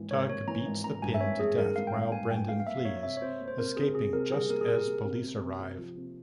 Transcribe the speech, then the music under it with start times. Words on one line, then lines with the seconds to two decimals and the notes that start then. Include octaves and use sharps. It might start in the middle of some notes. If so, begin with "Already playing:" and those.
Tug beats The Pin to death while Brendan flees, escaping just as police arrive.
Already playing: G#1 E3
0.11 G#1 C#5
0.29 G#1 C#5
0.47 E3 A#5
0.66 G#1
0.84 G#1 A#5
1.02 G2 G#5
1.14 E5
1.21 G#1 C#5
1.39 G#1 G#4
1.58 G2 A#4
1.76 G#1 F5
1.87 G5
1.94 G#1 F5
2.12 G2 G#5
2.30 G2 G5
2.49 G2 F5
2.60 F5
2.67 A#3 E5
2.85 A#3 C#5
2.97 C#5
3.03 C3 E5
3.17 C#5
3.22 C3 C5
3.41 A#3
3.48 C5
3.58 C3 A#4
3.77 C3 G#4
3.95 C3 G#4
4.13 C3 A#4
4.31 G3 G#4
4.49 A#3 A#4
4.61 G#4
4.68 A#3 A#4
4.87 A#3
5.04 C3
5.23 C3
5.41 C3
5.60 C3
5.78 F3
5.96 C3